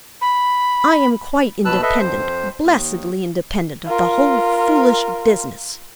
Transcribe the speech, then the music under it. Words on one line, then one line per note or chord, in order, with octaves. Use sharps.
I am quite independent; blessedly independent of the whole foolish business.
B5
D#2 B2 B4 A5 E6 F#6
A4 B4 D#5 E5
F2 C5
D#2
F4 A#4